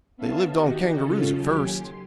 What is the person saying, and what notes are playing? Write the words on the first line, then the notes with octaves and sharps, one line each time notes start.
They lived on kangaroos at first.
B3 C#4 E5 F5 A5
D#3 F#4 G4 D#5
C#3 C#4 F4 A4
D#2 F#3 G4 G#5
C6